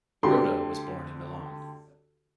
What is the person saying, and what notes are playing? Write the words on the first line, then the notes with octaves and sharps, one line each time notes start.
Rota was born in Milan.
D2 D3 G4 C6